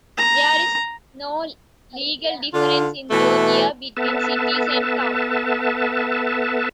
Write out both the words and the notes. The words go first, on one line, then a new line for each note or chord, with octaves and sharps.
There is no legal difference in Georgia between cities and towns.
A#5
D3 F4
B2 E3 A3
B3 A4 B4 E5 A5